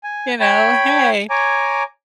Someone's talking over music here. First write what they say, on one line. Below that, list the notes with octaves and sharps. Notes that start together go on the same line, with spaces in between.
you know hey,
G#5
C#5 G5 B5
C#5 G#5 A#5 D6